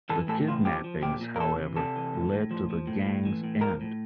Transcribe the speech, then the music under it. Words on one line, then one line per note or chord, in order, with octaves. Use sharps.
The kidnappings, however, led to the gang's end.
E3 A4
A2 A4
E3 F4
F3 G4
F3
A#2 G4
A#2
A#4
E3 A4
C3
C3 A4
E3
A2
A2
F3
F3
A2
A2
E3
A2
F3 A#4
A2